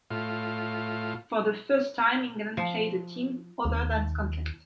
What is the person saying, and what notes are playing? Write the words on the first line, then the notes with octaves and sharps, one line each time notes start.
For the first time, England played a team other than Scotland.
A2 F4
F3
D#2